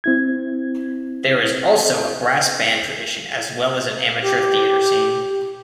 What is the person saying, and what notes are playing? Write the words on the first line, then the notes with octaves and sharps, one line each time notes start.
There is also a brass band tradition as well as an amateur theatre scene.
C4 E4 G#6
G4